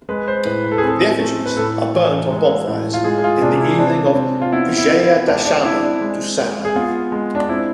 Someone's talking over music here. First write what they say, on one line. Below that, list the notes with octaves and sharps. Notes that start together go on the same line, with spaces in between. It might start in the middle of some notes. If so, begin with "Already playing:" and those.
The effigies are burnt on bonfires in the evening of Vijayadashami-Dussehra.
G#3 B4
C5
A2 B4
B4
A4
G#4
C4 A4
A3
B4
A2 A4
E3
G#3
A2
F4
G#3 G#4
G#4
F4
C3 D4
E4
C4 D4
C4
F4
B3 E4
E4
B3
E4
G#3 D4
D4
C4 E4
D4
G#3
G#3
G#4
B3 F4
G#3
D4
C4 E4